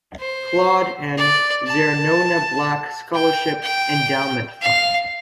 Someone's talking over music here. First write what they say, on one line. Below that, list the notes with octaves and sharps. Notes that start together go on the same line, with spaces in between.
Claude and ZerNona Black Scholarship Endowment Fund.
C5
D5
A5
G5
G5
F5